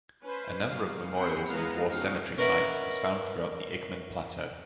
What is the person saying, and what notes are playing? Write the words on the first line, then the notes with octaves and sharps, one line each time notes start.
A number of memorials and war cemetery sites is found throughout the Igman plateau.
C#4 B4 C5
F#3 F5
C4 G#4 F#5 G5 B5 C6
E3 G#3 B3 G#4 F5 A#5
C#4 D#4 F#4 F5
C#4 A#4 B4 D#5 E5 F#5